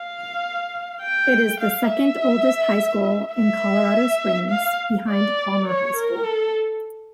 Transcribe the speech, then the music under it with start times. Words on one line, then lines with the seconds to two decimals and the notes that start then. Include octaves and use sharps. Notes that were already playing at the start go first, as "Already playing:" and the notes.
It is the second oldest high school in Colorado Springs, behind Palmer High School.
Already playing: F5
1.02 G5
1.60 F5
1.89 E5
3.34 E5
4.50 F5
5.09 D5
5.67 C#5
5.96 A#4
6.25 A4